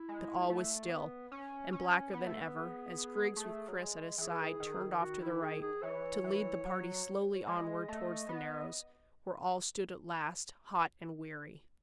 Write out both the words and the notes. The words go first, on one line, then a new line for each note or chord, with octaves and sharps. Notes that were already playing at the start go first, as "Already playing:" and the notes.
But all was still, and blacker than ever, as Griggs with Chris at his side turned off to the right, to lead the party slowly onward towards the narrows, where all stood at last, hot and weary.
Already playing: E4
G#3
A3
B3
C#4
C#4
B3
A3
B3
G#4
A3
F#3
G#3
E3 G#4
D#3
F#4
E4
G#4
G#4
E3 C#5
E3
F#3
C#5
G#3 D#5
A3
B3